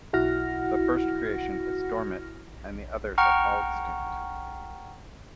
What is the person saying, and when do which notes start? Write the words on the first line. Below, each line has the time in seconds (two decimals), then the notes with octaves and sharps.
The first creation is dormant and the others are all extinct.
0.13 B1 E4 F#4 F#5 F6 A#6
3.18 F#5 G5 A#5 C#6 F6